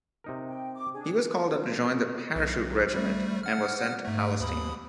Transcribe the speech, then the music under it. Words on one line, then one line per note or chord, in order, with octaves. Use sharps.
He was called up to join the Parachute Regiment, and was sent to Palestine.
C3 D#4 A#4
G5
D6
D4 G#4
B1
G3 A3
F#5 F6
G#2 A3
D#2 B5 D#6